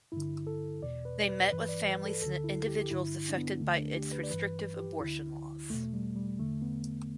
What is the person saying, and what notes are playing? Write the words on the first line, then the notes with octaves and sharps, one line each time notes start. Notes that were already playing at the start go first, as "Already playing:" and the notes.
They met with families and individuals affected by its restrictive abortion laws.
G2 D3 E4
A4
E2 B2 D5
B4
D5
B4
G2 E3 B4
D5
B4
A4
D2 D3 A4
E4
G4
G4
G2 D3 E4
D4
B3
D2 D3 A3
D4
G4
B4
D5
G2 E3 B4
G4
D2 D3 E4
E2 B2 A3
G3
G3
E2 D3 A3
B3